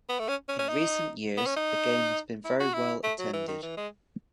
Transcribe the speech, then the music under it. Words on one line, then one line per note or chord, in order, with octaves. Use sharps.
In recent years, the game has been very well attended.
B3
A3
C#4
C#4
C#4
D#4
B3
C#4
D#4
E4
F#4
E4
A3
F#3
E3
D#3
E3
G#3